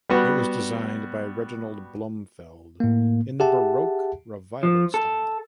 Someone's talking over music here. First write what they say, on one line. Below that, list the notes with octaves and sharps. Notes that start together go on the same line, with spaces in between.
It was designed by Reginald Blomfield in the Baroque revival style.
G3 B3 F#4
A2 A#3
G4 G#4 E5 F#5 A5
F3
A4